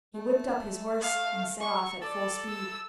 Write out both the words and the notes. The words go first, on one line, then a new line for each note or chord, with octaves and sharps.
He whipped up his horse and set off at full speed.
A3
F5
C#6
A4 D5
E6